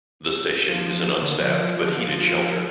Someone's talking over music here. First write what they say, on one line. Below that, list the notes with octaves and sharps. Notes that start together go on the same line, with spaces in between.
The station is an unstaffed but heated shelter.
F3
D3
F3
F3
F3
D3
F3